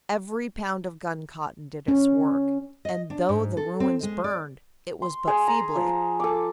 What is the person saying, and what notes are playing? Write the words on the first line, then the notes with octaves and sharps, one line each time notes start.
Every pound of guncotton did its work, and though the ruins burned, it was but feebly.
C#4
D#5
D4
G#2
A4
C4
G#3
D5
C6
G#4
A#5
F3
A4 D6